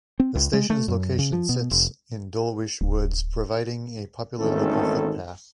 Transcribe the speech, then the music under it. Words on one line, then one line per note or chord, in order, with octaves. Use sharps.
The station's location sits in Dulwich Woods, providing a popular local footpath.
C4
C#2
G#3
A3
F#2
C#3
F3
B2
F1
D1
G#1 E2 D#3 A3 C#4 A4